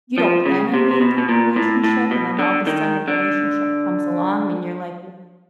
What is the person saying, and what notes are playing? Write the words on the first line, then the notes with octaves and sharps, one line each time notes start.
you don't plan on being in a relationship, and then all of a sudden, a relationship comes along, and you're like,
F3
C#3
C3
C3
B2
B2
A#2
A2
A2
B2
D3
D#3
D3